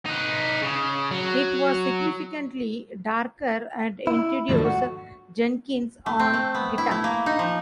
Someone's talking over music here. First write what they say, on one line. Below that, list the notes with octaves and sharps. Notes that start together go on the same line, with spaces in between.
It was significantly darker and introduced Jenkins on guitar.
D#4 B4
C#3
F#3
E4
D#2 G#2 F3 F#3 A3 D4
F#4
A3
C4
A3
B3
E4
A3
A#3
D#4
F3